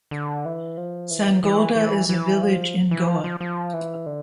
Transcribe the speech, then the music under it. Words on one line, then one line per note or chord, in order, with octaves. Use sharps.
Sangolda is a village in Goa.
D3
E3
F3
E3
E3
E3
E3
F3
E3
F3
F3
F3
E3
D3